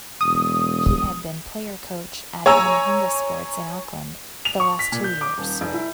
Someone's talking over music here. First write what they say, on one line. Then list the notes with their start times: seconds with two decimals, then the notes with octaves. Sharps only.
He had been player-coach at Onehunga Sports in Auckland for the last two years.
0.21 E1 D#6
2.46 C#5 G#5 A#5 E6
4.45 F7
4.60 C#6
4.79 B6
4.92 A#2
5.04 G6
5.21 D6
5.38 D#1
5.61 F1
5.74 E4